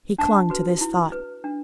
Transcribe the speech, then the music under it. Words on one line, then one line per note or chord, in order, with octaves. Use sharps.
He clung to this thought.
D4 A5
F#4 B4
E4
B4
D4